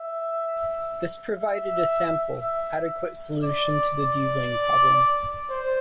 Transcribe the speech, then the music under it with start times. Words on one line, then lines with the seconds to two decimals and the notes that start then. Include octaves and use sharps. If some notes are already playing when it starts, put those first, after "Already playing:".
This provided a simple, adequate solution to the dieseling problem.
Already playing: E5
1.37 E5
2.39 E5
3.43 D5
3.95 D5
5.50 C5